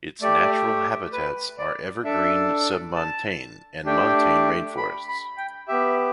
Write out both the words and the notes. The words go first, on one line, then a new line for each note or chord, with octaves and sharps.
Its natural habitats are evergreen submontane and montane rainforests.
A3 G4 D5
B4
D5
D4 A4 E5
A5
A3 D4 G4 G5
B5
B5
G5
B3 G4 E5